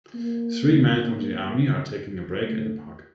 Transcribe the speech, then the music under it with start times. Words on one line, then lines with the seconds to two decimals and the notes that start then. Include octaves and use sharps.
Three men from the army are taking a break in a park.
0.15 A#3
2.49 A3